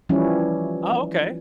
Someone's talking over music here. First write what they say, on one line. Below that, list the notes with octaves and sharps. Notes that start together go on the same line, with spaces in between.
Oh, okay.
E3 F3 G3 C#4 E4